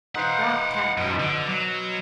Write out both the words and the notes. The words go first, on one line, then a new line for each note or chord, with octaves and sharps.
Rap! tap! tap!
D#4 B4 C5 F5 F#5
F#2 B2
D3
F#3